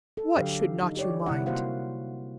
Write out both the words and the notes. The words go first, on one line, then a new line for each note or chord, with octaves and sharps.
"What should not you mind?"
A4
D3 F#3 D4 G4 F5
D#4
G4 C#5 D5
C3 G3 E4 F#5
A#3 F#4 C5 F5 F#5